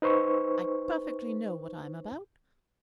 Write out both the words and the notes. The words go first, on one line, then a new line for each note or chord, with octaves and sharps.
I perfectly know what I'm about.
D#4 B4 C5 C#6